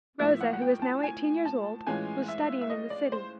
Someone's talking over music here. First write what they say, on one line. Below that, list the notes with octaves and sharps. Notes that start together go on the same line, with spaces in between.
Rosa, who was now eighteen years old, was studying in the city.
A2 F3 A#3 E5
F#5
F#5
G5
A5
G#5
A5
A2 E3 G#3 C#4 F4 G#5
E5
E5
D#5
D5
C5